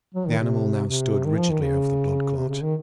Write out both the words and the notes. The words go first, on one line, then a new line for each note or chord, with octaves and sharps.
The animal now stood rigidly over the blood clot.
F#3
D#3
C3
C3
D#3
F3
D#3
C#3
C3
C#3
D#3